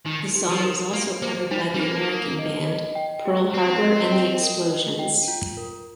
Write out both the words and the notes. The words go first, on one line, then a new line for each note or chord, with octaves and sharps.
The song was also covered by the American band Pearl Harbor and the Explosions.
D#3 D#4
G4
F3
A#4
A#3 G4
A#3 C5
G3 D#4
G3
A#3 D#4
A#4
D#5
D#5
G5
G4
C4 C5
D#5
G5
A#4
D#5
G5
F4
A#4